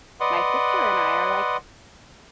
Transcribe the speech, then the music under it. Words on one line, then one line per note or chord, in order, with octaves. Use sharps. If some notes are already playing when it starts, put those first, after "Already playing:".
my sister and I are, like
B4 D5 D#5 F#5 C6